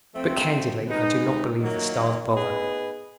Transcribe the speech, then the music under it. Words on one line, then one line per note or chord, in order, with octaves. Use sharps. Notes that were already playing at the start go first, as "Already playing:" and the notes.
But, candidly, I do not believe the stars bother.
F3 A3 C4
G#3 B3 D#4
F#2 D#3 F#3 A#3
B3 D#4 G#4 B4